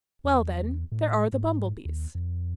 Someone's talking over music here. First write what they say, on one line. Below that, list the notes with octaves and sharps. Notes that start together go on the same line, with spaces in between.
"Well, then, there are the Bumble-Bees."
E2
A2
G#2
D#2
F2